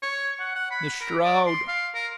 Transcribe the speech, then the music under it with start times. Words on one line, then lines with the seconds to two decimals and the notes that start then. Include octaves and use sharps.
The shroud!
0.03 C#5
0.40 F#5
0.55 F#5
0.71 B5
1.01 A#4
1.24 D5
1.46 C6
1.68 F5
1.95 A#4